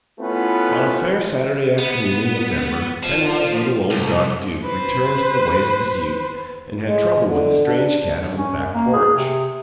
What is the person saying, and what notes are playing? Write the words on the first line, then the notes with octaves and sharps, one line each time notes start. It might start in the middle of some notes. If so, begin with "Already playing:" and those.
On a fair Saturday afternoon in November Penrod's little old dog Duke returned to the ways of his youth and had trouble with a strange cat on the back porch.
A3 B3 C#4 E4 F4 B4
B3
F3
C2
B4 C5
G#3
D3
D4
C#4
F#2
A#3
G#4
C3